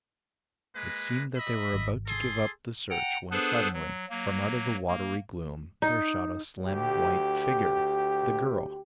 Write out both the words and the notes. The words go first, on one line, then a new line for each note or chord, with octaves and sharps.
It seemed that they were about to give up the search when suddenly, from out of the watery gloom, there shot a slim white figure--the girl!
G#3 A#3 B4
D#5 E5 B5
G#1
G#4 A4 C6
F#5 G5 A#5
B3 D4 G#4 A4 B4 C5
F#3
F#3 A#3
A#3
D#4
D2 G4